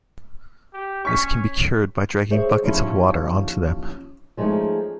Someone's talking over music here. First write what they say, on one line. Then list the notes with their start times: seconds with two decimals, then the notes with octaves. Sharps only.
This can be cured by dragging buckets of water onto them.
0.74 G4
1.05 C#4 C#6 B6
2.31 G#4 C5 C#5 E5
2.62 D#2 F3 C#4 E4
4.37 F3 G#3 A3 B3 C#4 D#4